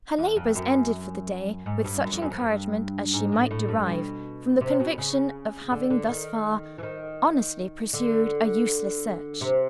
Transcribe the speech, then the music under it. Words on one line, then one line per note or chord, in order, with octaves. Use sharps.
Her labors ended, for the day, with such encouragement as she might derive from the conviction of having, thus far, honestly pursued a useless search.
E2
F2
F#2
G#2
G2
F#2
F2
F#2
F2
G2
G#2
A2
A2
G2
B2
C3
B2
C#3
D3
D3
D#3
E3
D#3
D3
C3